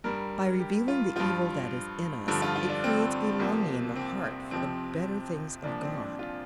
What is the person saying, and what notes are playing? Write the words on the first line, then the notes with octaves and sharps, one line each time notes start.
By revealing the evil that is in us it creates a longing in the heart for the better things of God.
G2 G3 A#4
G4
F4
G2 F3 F4
G2 D3 F3
F4
F4
D4
C4
C2 C3 F3 A#3
C4
C4
F2 C3 F3 C4
C2 A#2 F3 D4
C4
D4
F4